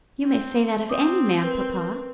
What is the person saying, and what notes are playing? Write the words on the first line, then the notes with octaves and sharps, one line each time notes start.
"You may say that of any man, papa."
C4
C4 D6 D#6
A#4 B4